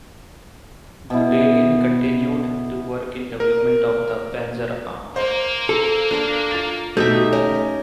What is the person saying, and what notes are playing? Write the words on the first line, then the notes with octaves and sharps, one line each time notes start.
Guderian continued to work in development of the panzer arm.
B2 E4
A#4
A#3 C5
A4
D4 A#4 F5
F4 A6
B2 A3 D#4 G4 E5 G6
C#4 A#4